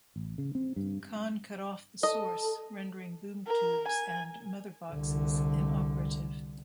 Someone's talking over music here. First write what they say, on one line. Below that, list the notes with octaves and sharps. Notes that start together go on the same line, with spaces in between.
Khan cut off the Source, rendering Boom Tubes and Mother Boxes inoperative.
A1
C#3
C4
G2
A4 D#5
A#4
G#5
C2 D3